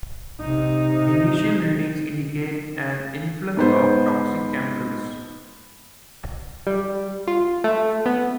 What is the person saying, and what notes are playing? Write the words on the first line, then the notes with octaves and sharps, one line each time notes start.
Initial readings indicate an influx of toxic chemicals.
C3 D#4
G#2 B3 C5
G3
F4
A3
B3